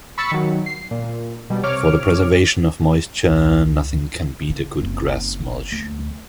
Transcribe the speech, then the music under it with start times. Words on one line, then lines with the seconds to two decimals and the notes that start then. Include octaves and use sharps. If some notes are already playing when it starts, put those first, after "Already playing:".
For the preservation of moisture nothing can beat a good grass mulch.
0.18 B5 C#6 E6 A6 B6 C#7
0.31 D#3 F#3
0.66 C7
0.91 A#2
1.50 B2 G3
1.63 C3 C#5 D6 F6
3.28 C2
3.67 C#2
4.50 C#3
4.81 F#1 C4
5.72 D2